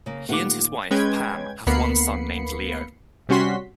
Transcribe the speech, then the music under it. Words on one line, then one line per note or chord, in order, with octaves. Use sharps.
He and his wife, Pam, have one son named Leo.
C#3 A#3
A#2 D#3 A3 F4 G4 B4 F#5 D6
G#3 C#4 B4 G5 G#6
D2 A#3 B3 B5 C7 C#7
C3 G3 C#4 F#4 C6 B6